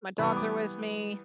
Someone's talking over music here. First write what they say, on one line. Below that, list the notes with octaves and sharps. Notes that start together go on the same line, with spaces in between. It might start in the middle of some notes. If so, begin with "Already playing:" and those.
my dogs are with me
E3 G3 B3 B5
D6